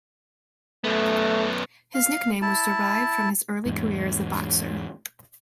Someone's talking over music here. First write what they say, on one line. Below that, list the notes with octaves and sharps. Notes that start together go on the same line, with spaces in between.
His nickname was derived from his early career as a boxer.
F#2 A3 B3
F5
E4 A5
E2 G#2